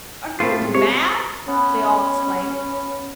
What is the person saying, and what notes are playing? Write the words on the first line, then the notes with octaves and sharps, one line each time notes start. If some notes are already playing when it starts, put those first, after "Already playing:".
'Are you mad?' they all exclaimed.
A2 A3 C4 F4 B4
G#3
C3 C#5
B3 C#4